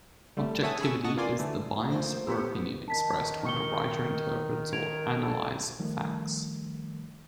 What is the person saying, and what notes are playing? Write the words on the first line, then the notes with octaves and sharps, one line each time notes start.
Objectivity is the bias or opinion expressed when a writer interprets or analyze facts.
G3 A3
C#5 E5 F#5 G#5 A5 D#6
G#4 G#5 B5 C#6 E6
D#5 F#5 A5 C#6 D#6 A#6
E3 A#3 F4 D5 G#5 C6
D3 E3 A3
F3 A3 A#3 C5
B3 G4 E6 B6
D#3 A5 B6
C#6 C#7 G7
G#6 D7 F7
G3 A4
D#3 F3 G3 A3